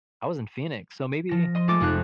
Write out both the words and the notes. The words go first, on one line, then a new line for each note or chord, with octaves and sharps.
I was in Phoenix. So maybe
F3 A#6
D#5 C6
G#3 A3 F4 D6 A6 D7
F1 F2 D#4 F5 F#6